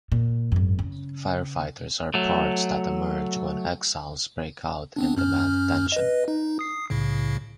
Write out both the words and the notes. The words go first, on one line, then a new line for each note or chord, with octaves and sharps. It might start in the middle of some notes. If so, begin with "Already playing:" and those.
Firefighters are parts that emerge when exiles break out and demand attention.
A#2
G#1 F#2
C#3
F#3 A3
B3 C4 D4
F#2 C#4 F6
B4 D#5
D#4
D#6 C7
C2 A2 C#3